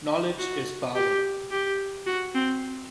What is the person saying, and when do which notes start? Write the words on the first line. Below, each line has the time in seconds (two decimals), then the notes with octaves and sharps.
Knowledge is power.
0.39 F#4
0.96 G4
1.51 G4
2.07 F#4
2.35 C4